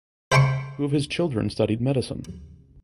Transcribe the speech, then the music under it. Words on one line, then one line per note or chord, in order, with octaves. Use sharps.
Two of his children studied medicine.
C5 E5 G5 A5 C6 C#6